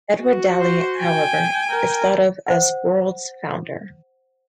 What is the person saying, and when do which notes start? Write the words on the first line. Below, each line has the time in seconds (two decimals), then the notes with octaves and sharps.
Edward Daly, however is thought of as World's founder.
0.21 F#4
0.60 C5
0.98 G5 G#5
1.70 A#4
2.47 C5 F#5